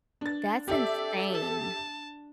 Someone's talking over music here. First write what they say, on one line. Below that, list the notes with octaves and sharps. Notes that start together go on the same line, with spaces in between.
That's insane.
D4 A6
G4 A4 D5 E5
A5